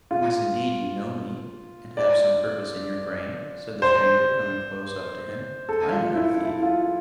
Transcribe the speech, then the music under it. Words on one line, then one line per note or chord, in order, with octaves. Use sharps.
Unless indeed you know me, and have some purpose in your brain?' said the stranger, coming close up to him. 'I am no thief.'
F4
D5
C5
A4
F4
E4
E4
F4